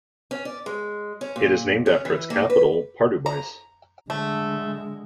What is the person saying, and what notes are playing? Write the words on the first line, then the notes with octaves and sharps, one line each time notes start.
It is named after its capital Pardubice.
C#4
D5
G#3
C#4
A#2
C#4
E3
A#3
B4
A#5
D3 G#3 A3